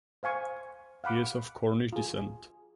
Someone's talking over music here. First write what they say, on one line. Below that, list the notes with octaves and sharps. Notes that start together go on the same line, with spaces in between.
He is of Cornish descent.
C5 F5 G#5 C#6
F5 F#5 B5 D6
F4 G#4